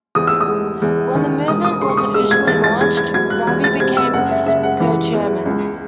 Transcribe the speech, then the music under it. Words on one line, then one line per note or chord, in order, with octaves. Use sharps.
When the movement was officially launched, Raby became its co-chairman.
E2 D#6
E6
D#6
G#3
E2
D#3
E1 D#6
D#6
C#3 C6
C#6
D#6
G#3 E6
G#6
E2 A6
A6
E2 G#6
G#6
F#3 G#6
F#6
E2 G#6
A6
C3 G#6
E6
F#1 F#5
E5
C#3 E5
F#5
E3
E2
C#2